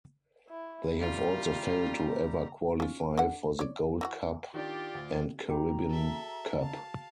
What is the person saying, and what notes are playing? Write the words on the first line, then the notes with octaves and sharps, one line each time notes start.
They have also failed to ever qualify for the Gold Cup and Caribbean Cup.
E4
G3 A3 F4 G4 A#5
C#4 F4
D3 F#5
C#5 D5
E3 E4 F#4
D#3 D4 F4 G4 D5
D2
F#4 G#4 G5 A#5
A4 E5
F5 A5